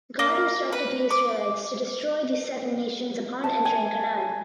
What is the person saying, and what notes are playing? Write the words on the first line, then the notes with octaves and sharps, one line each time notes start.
God instructed the Israelites to destroy these seven nations upon entering Canaan.
A#3
B4
D6
A5
G#5